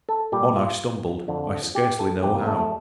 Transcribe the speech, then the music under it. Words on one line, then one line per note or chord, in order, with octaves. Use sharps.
On I stumbled, I scarcely know how.
A4
A#2 G3 G4
F4
F2 D3 F3
G4
A4
E2 C3 G3 G4
A#3
A3
A3